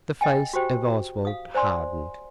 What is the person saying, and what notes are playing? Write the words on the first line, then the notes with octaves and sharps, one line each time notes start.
The face of Oswald hardened.
D#5 G5 G#5
F#4 G4 C5 G5
F5 D#6
C5 D5 G#5 C6